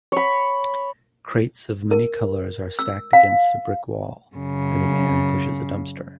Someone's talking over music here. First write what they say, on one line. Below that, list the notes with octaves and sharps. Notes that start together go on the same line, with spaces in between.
Crates of many colors are stacked against a brick wall, as a man pushes a dumpster.
C#5 B5
A#4
E6
F5
F#2 C#3